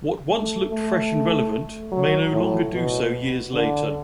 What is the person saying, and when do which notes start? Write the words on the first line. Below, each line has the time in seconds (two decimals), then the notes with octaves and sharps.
What once looked fresh and relevant may no longer do so years later.
0.30 A3
0.70 A3
1.92 F#3
2.32 A2
2.73 B2
3.53 D3